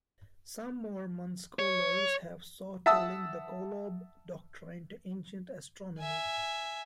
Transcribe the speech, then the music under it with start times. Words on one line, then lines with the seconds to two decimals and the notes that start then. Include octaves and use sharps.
Some Mormon scholars have sought to link the Kolob doctrine to ancient astronomy.
1.59 C#5
2.86 E5 F#5 A5 D#6 E6
5.99 E5 G#5